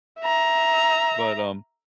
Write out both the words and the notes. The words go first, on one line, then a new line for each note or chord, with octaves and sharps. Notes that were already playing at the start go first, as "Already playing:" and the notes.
but, um,
E5 A#5